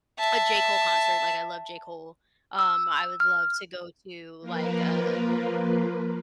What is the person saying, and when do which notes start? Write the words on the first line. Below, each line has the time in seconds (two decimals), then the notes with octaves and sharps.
a J. Cole concert, like, I love J. Cole, um, I would love to go to like a
0.18 E5 A5
2.59 E6
3.20 F6
4.41 F3 A#3 F4 A#4 B4